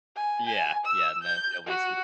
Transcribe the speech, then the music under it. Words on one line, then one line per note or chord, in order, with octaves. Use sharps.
Yeah, yeah, no, nobody speaks
G#5
G#5
E6
G6
F#4